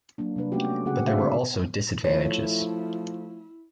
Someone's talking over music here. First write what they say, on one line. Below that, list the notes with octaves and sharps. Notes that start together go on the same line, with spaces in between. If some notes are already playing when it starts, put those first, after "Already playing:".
But there were also disadvantages.
F#3 A#3 D4
C3 G3 D4 B4
A3 B3 C#4 D4 F#4 G4
C#3 F#4 G#4 F#5
A3 D4 F#4 G#4 E5 F5
D3 B3 C4 D4
F3 A3 E4 C#5